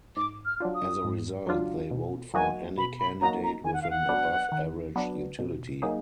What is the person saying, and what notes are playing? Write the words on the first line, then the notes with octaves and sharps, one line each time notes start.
As a result, they vote for any candidate with an above-average utility.
G#2 D6
F6
F#3 D4 F4
D#6
G#2
F#3 D4 F4
B2
F#3 A#3 D#4 F#4 G#5
B2 B5
B5
F#3 A#3 D#4 F#4 A#5
A#5
D#3 G#5
F#5
F5
F#5
F#3 B3 D4
D#3
F#3 B3 D4
B2
F#3 A#3 D#4 G#4